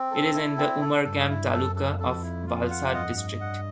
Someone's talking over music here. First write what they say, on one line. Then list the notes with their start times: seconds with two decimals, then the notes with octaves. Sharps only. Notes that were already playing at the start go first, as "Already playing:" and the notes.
It is in the Umargam taluka of Valsad district.
Already playing: C4
0.11 A4
0.34 E4
0.58 C4
0.81 A4
1.05 G2 A4
1.29 E4
1.52 F#2 A4
1.76 A4
1.99 F2 A4
2.22 E4
2.47 F4
2.71 F#5
2.94 G2 D#5
3.17 D#5
3.40 F#5